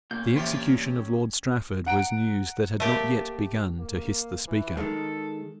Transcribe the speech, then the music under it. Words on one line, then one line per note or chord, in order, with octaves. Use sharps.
The execution of lord Strafford was news that had not yet begun to 'hiss the speaker.'
A#2 C#4 F4 G6
E3 F3 C4 G4 E5
F#5 A#5 D7
A3 A#3 G4 A5 D#7
A#3
E3
D#3 G#3 A4